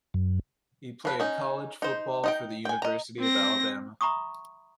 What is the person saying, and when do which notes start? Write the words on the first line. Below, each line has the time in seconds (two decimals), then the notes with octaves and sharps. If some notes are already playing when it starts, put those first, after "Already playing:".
He played college football for the University of Alabama.
0.14 F#2
1.05 F3 B4
1.20 C#4 D#4
1.82 D#4 C5
2.24 D#4 D#5 G5
2.65 G5 G#5
2.82 D#5 A#5
3.20 C4 A#6
4.01 E5 A#5 B5 C#6 D#6